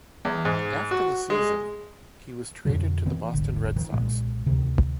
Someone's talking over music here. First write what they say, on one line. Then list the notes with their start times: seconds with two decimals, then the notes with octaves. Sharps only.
After the season, he was traded to the Boston Red Sox.
0.25 E2
0.45 G#2
0.91 F#4
1.30 G#3
2.65 F2 B2 D3 F#3
3.06 D#3 E3 A#3 C4
3.33 D#1 G#1 D3
3.76 D#3 F3
3.92 B1 A#2 G#3
4.46 D2 C3 D#3